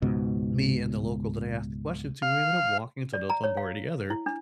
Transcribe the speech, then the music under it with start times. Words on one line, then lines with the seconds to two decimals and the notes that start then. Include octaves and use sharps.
me and the local that I asked the question to, we ended up walking to Dotonbori together,
0.02 C#2 G#2 B2
2.22 F5
3.13 D5
3.30 A#5
3.44 C#5
3.57 F5
4.10 E4
4.26 D4